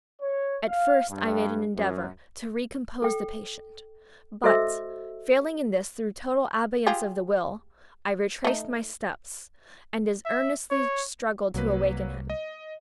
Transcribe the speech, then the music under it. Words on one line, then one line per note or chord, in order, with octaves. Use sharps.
At first I made an endeavor to re-compose the patient; but, failing in this through total abeyance of the will, I retraced my steps and as earnestly struggled to awaken him.
C#5
F5
G2
F#2
A4 G5
F#4 A4 C5 D#5 E5 E6
F4 G4 G#4
A3 D#4
E5
C#5
C2 F#3 A#3 B4
D#5